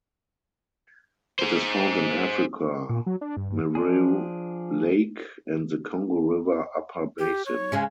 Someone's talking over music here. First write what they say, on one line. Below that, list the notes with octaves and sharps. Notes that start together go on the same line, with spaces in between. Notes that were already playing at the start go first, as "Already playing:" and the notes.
It is found in Africa: Mweru Lake and the Congo River upper basin.
G#4 C5
A#2
F#3
D4
G2
G2
F3 D4 G#4
G4
C#5
C#3 G#3 C#4